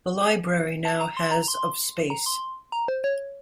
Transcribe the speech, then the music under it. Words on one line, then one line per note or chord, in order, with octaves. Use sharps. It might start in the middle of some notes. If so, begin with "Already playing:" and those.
The library now has of space.
A5
A#5
C6
A#5
A#5
C6
A#5
C6
A#5
C5
C#5